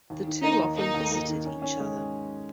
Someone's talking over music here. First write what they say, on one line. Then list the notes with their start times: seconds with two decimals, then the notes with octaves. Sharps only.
The two often visited each other.
0.10 D#2
0.27 D#3
0.43 A#3 D#4
0.61 D#2
0.78 A#3 D#4
0.94 D#2
1.12 A#3
1.29 D#3
1.45 C#4
1.62 C#4
1.80 G#3